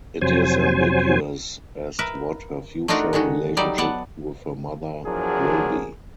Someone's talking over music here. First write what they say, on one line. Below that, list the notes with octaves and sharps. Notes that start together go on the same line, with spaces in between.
It is ambiguous as to what her future relationship with her mother will be.
F2 C3 F#3 C5 G#5
A#4 B4 E5
A3 D4 D#4 F4 F#4 A#4
D3 D#3 G#3 F#4
F#3 G3 D#4 D5
B3 D5 F#5 A5
E2 F3 F#3 D4 G#4 A#4